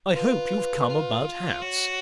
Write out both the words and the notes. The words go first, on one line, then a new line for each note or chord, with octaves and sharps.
I hope you've come about hats.
F4 B4
F4
F#4 C#5